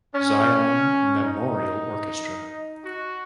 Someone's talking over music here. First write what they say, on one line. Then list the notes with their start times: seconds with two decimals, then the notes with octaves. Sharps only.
Zion Memorial Orchestra.
0.14 C#4
1.23 D#4
2.84 F#4